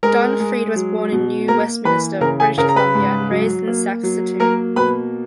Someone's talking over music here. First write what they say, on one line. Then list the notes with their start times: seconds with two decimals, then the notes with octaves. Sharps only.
Don Freed was born in New Westminster, British Columbia and raised in Saskatoon.
0.03 G#3 A#4 A#5
0.40 G#3
0.76 F#3
1.12 B2
1.48 A#3 A#4 A#5
1.85 E3 B4 B5
2.21 C#3 A#4 A#5
2.40 G#4 G#5
2.58 C#3 A#4 A#5
2.69 A#5
2.76 B4 B5
2.95 G#2
3.31 F#3
3.68 A#3
4.03 F#3
4.40 A#3 A#4 A#5
4.76 B2 B4 B5